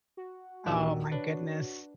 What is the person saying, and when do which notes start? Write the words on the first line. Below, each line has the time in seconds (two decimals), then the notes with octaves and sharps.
Oh my goodness.
0.17 F#4
0.66 D#1 A#1 D#3 G4 D5 E5
1.12 D4 B4 C#5